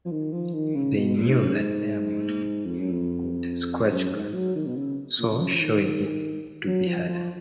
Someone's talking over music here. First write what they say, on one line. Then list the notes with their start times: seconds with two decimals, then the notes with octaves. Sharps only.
They knew that diamond could scratch quartz, so showing it to be harder.
0.05 F3
0.12 D#3
0.33 F3
0.54 D#3
0.75 C#3
0.97 B2
1.17 A#2
1.29 G#2
1.41 F#2
1.53 G#2
2.65 F2
2.78 F#2
2.91 F2
3.83 F2
3.92 F#2
4.13 G#2
4.34 F#3
4.55 D#3
4.66 B2
4.76 C#3
5.19 A#2
5.30 F2
5.40 F#2
5.55 F3
5.60 D#3
6.67 F#3
6.87 F3
7.09 F3